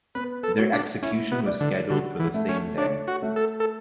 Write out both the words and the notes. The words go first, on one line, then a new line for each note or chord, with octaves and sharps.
Their execution was scheduled for the same day.
B3 B4
A4
F#4
D4
C#4 E4
B3
D5
D3
D3 F#4
E3
A3
C#4
D4 C#5
F#4
A3
A4
A4